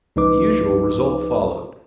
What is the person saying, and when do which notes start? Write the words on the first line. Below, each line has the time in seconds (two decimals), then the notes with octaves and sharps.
The usual result followed.
0.16 C#2 F3 D#4 B4 D6